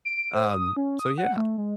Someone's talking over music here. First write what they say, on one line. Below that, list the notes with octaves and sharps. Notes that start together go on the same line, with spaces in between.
Um so yeah,
D7
C5
D#6
C#4
D#6
F#5
A3
G#3